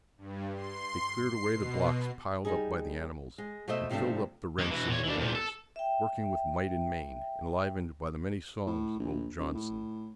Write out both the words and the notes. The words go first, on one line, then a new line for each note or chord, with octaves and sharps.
They cleared away the blocks piled up by the animals, and filled up the rents in the walls, working with might and main, enlivened by the many songs of old Johnson.
G2
C6
C7
B2
G3 D#4 G#4
G#3
B2 A3 C5 D#5 E5
G2 C3 F3 G3 A3 D4
D#3 A#3
E3 F#4
A#2 C#5
E3 D4
E2 A#2
A4
E5 G5
A2
A#1
D#1
A2